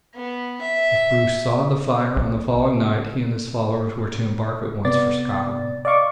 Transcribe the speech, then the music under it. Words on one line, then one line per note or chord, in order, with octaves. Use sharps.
If Bruce saw the fire on the following night he and his followers were to embark at once for Scotland.
B3
E5
B1
C3 B3 D5 A6
D5 D#5 F5 C#6 D6